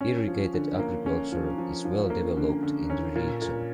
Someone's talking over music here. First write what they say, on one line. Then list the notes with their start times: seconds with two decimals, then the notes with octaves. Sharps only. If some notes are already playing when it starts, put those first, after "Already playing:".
Irrigated agriculture is well developed in the region.
0.01 C#4
0.28 F3
0.53 D3
0.79 A#3
1.06 C#4
1.32 F3
1.58 F3
1.85 F3
2.10 A#3
2.37 D3
2.63 D3
2.90 C#4
3.15 A#2
3.41 A#2